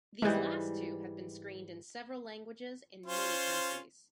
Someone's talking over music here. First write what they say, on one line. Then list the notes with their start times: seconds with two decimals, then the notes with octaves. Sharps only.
These last two have been screened in several languages in many countries.
0.22 G#2 E3 G3 G#3 G4
3.06 C#4 F4 C5